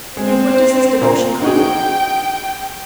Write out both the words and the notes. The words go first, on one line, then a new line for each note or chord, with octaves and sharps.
"And what does this devotion come from?"
G#3 C4
A#2
D#4 F#4 G#4 G5